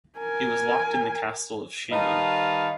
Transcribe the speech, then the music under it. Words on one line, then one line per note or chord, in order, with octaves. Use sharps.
He was locked in the castle of Chinon.
A#4 G#5
D#3 G3 B4 D#5 F5 A5